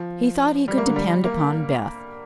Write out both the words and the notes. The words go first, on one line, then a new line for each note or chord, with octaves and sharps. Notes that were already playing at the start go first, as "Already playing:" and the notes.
He thought he could depend upon Beth.
Already playing: F3
G3
A#3
D3
G3
A#3